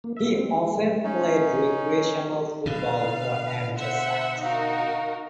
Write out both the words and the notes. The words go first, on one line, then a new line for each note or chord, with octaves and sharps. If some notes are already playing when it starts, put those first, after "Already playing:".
He often played recreational football for amateur sides.
A#3
E5
C4
G#3
C#4 D#4
B2 D3 B4 F5
C5 E5 F#5
D#4 F#4 A#4 F5